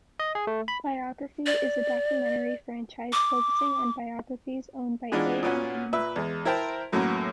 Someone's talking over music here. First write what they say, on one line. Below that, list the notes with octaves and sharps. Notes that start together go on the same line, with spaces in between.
"Biography" is a documentary franchise focusing on biographies owned by A and E Networks.
D#5
G#4
A3
B5
D5
D6
E3 G#3 B3 D4 D#4 F4
A#2 B3 C#4 F4 F#4
A#2 B4 E5
E2 G#3
E4 A#4 C5 G5 A5 A#5
F#2 A2 F#3 A#3 B3 C#4